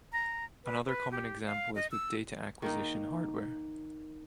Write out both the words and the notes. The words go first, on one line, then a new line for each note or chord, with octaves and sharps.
Another common example is with data acquisition hardware.
A#5
B4
B4
G4
F5
D#5
E6
D#3 A#3 D#4